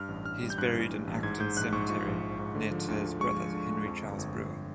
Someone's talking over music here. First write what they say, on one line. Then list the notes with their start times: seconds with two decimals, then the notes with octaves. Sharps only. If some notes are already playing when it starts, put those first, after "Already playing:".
He is buried in Acton Cemetery near to his brother Henry Charles Brewer.
Already playing: G2 F6
0.08 A1
0.25 G2 F6
0.41 G3
0.50 G6
0.58 G2 F#6
0.75 E3
0.91 G2
1.07 A1
1.23 G#2 G#6
1.40 G#2 G6
1.56 A#1 F#6
1.72 G#2 C#6
1.89 F3 C#6
2.06 A#1
2.22 A#1
2.39 G#2
2.55 D3
2.71 F3
2.88 D2
3.05 F3
3.20 G#3 C#6
3.37 F3
3.53 D3
3.69 G#3
3.85 F2
4.03 G1
4.19 G1
4.36 G1